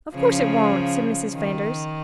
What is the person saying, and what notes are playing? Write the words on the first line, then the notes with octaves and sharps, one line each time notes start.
"Of course it won't," said Mrs. Flanders.
C#3 F3
D#3